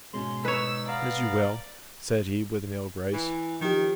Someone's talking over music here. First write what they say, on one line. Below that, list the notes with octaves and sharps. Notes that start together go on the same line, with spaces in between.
"As you will," said he, with an ill grace.
G#2 B2 G#3 C#4 C6
D#4 B4 C#5 E6
B3 D5 F5 A#5
E3
D#3 F3 G4